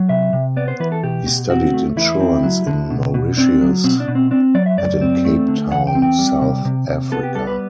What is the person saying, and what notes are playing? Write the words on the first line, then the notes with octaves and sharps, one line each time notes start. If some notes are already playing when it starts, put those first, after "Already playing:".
He studied insurance in Mauritius and in Cape Town, South Africa.
Already playing: F#3
C3 E5
C3
B3 D5
C5
E3 B4
A4
B2 G4
B2
C4 F#4
A3
E2 E4
C4
F#3
D3
B2
B2
C4 D4
F#3
B2 C4
D4
B2
C4
C4 D4
F#3 D5
E5
F#2 D5
C4
A3
D3
E2 F#5
G5
C4
G5
G3
C3
C3
C3
B3 A4
G4
G3 A4
B4